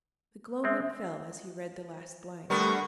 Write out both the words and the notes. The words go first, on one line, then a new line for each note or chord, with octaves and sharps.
The gloaming fell as he read the last lines.
G#3 C4 E5
D3 G3 A3 B3 A#4 C#6